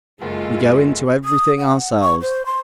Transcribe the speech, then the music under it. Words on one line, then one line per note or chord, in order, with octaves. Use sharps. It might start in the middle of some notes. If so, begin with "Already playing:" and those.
We go into everything ourselves.
F#1 G#3 F4 A4
D#6
F#5
C#6
C5
C6